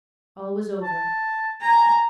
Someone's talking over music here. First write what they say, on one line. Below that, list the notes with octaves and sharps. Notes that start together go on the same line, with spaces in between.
All was over.
A5
G#5 A#5